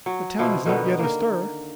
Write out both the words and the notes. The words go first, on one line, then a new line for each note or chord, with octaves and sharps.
"The town is not yet astir."
F#3
B2 F3 E4
B2 D3 D#3 B3
A#3 A#4